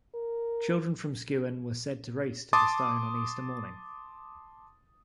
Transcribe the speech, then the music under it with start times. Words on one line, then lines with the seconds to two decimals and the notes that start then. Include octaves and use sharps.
Children from Skewen were said to race to the stone on Easter morning.
0.15 A#4
2.53 A5 C6 D6 D#6 A6